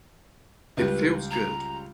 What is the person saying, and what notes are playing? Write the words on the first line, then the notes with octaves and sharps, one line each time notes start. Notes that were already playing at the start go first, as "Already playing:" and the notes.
It feels good.
C#2 G3 B4
A#5